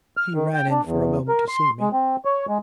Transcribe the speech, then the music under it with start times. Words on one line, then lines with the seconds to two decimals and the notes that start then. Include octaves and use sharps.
'He ran in for a moment to see me....
0.17 F6
0.35 D#3
0.54 G5
0.71 D4
0.85 E2
1.28 A#4
1.48 C6
1.81 G#3
1.93 C4
2.25 C#5
2.48 G#3